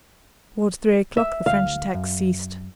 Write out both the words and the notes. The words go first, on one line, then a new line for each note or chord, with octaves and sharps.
Toward three o'clock the French attacks ceased.
E5
D2 F5
F#2